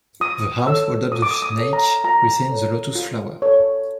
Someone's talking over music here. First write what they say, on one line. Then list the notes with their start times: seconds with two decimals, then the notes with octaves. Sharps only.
The arms hold up the snake within the lotus flower.
0.20 F4 D#6
0.66 A4 C#5 E6
1.12 F4 D#6
1.22 D6
1.31 D#6
1.42 D#6
1.59 A4 C#5
1.73 A#5
2.04 F4 A#5
2.49 A4 C#5
2.95 F4
3.42 A4 C#5